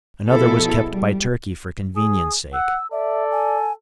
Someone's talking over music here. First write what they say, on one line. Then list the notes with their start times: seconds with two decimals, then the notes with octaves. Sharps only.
Another was kept by Turkey for convenience sake.
0.29 B2 F3 E4 G#4 A4
0.89 G3
1.96 G#4 D#6
2.53 F#5 E6
2.92 A4 D5 E5
3.32 G#5